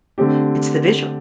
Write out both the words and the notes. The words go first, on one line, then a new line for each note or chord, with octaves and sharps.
It's the visual.
D3 A3 C4 G4